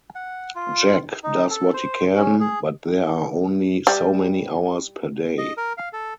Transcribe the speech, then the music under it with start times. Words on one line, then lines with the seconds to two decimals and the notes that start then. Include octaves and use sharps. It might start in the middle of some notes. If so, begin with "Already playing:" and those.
Jack does what he can, but there are only so many hours per day.
0.15 F#5
0.55 F4
1.23 D#4
1.50 A4
1.74 C5
2.16 C#4
2.40 G#4
3.87 G3
5.38 D#5
5.57 A#4
5.78 F5
5.93 A4